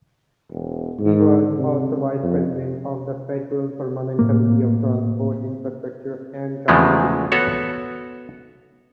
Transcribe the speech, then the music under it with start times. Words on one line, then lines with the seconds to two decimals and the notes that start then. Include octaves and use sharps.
He was also vice-president of the federal permanent committee of Transport, Infrastructure and Communities.
0.50 E1
1.00 G#2
1.59 C3
2.23 F2
4.19 A2 A#3
6.68 E2 C#3 E3 F3 G#3 A3
7.32 B3 F#4 A4 C#5